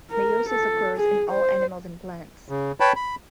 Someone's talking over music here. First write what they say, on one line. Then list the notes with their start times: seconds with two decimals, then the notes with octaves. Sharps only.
Meiosis occurs in all animals and plants.
0.10 A#4
0.49 A4
0.97 G#4
1.30 C5
2.49 C#3
2.80 B4 C#5 G5 A5 B5
2.96 B5